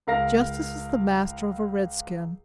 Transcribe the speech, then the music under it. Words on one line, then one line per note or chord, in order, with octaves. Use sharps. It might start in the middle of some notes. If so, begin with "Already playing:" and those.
Justice is the master of a red-skin.
C#2 A#4 F5 A#6